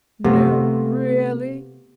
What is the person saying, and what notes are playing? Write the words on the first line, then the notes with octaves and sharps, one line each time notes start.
'No, really?
C3 A3 B3 F4